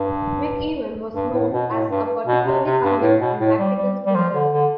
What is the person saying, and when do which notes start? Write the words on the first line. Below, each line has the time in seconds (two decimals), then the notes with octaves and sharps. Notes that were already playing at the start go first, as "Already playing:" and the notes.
McEwen was known as a particularly cunning and tactical sprinter.
Already playing: G2
1.15 G2
1.33 A2
1.52 B2
1.70 A2
1.89 G2
2.27 B2
2.46 C3
2.64 C3
2.83 G2
3.01 A2
3.20 B2
3.39 A2
3.59 G3
3.77 G3
4.06 G3
4.15 F3
4.34 D3
4.52 D3